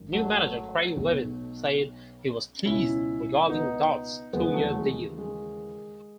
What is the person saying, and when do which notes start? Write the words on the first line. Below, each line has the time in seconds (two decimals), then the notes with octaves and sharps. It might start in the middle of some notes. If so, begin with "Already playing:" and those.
New manager Craig Levein said he was "pleased" regarding Dods' two-year deal.
Already playing: G#1 F#2
0.13 F#3 A3
0.98 B1 B2
2.65 C#2 B2 C#4 E4
3.49 B3 D#4
4.33 D#2 C#3 E3 G#3 B3
4.47 B3
4.54 F#3 A3
4.76 G#3
5.18 G#3